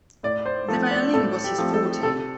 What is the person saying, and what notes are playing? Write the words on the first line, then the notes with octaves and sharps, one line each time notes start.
The violin was his forte.
A2 D5
C5
F3 A3 C4 A4
D5
A2 A4
G4
F3 A3 C4
A4
C3 A4